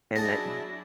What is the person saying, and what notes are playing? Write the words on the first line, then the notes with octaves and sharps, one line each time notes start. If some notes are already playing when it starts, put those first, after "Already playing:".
And that t
F#3 D4 E4 G#4 D#5 F#5 A5 A#6